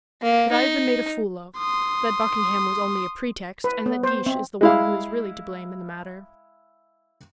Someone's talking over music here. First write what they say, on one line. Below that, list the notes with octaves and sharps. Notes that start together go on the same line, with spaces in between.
"That I have been made a fool of; that Buckingham was only a pretext, and that Guiche is the one who is really to blame in the matter."
A#3
D#4
C6 D#6
B4
B3
C5
C4
G#3 E4 F5